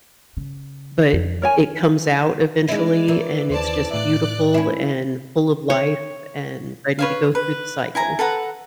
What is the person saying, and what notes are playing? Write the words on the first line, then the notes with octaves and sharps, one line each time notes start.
but it comes out eventually, and it's just beautiful, and full of life, and ready to go through the cycle.
C#3
F2
A#4 C#5 G#5
G#3 C#4 D#4 E4 D5
E3 A#4
D#2 C5 D5 A5
A2 D5 E5 F#6
C#4 E4
C#5
B4 C#5 F5
B4
E4 G#5 A#5
A4 B4 F#5 A#5